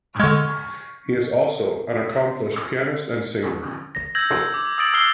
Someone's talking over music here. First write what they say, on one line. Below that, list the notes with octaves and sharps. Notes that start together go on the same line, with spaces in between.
He is also an accomplished pianist and singer.
D3 G#3 C#6 F6 G#6
A#6
E6 G6 G#6 A#6 F#7
D6
D#6 E6 A6 D7 F#7
D6 E6 F6 C7 F#7 G7